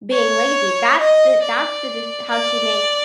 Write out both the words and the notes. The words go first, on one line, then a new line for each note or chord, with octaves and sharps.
being lazy, that's the that's the de how she makes
C#5
D#5
D5
D5